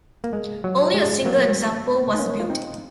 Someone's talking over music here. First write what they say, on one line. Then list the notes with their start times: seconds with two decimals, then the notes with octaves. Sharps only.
Only a single example was built.
0.24 A#3
0.33 G#3
0.64 F#3
0.94 G#3
1.25 F#3 A#3
2.14 D#4
2.18 A#3 C#4
2.40 F4
2.50 C4 D#4